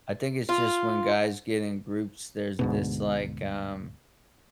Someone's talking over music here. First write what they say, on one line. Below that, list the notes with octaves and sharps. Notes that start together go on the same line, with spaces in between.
I think it's just when guys get in groups, there's this, like, um,
F4
D2 G#2 B2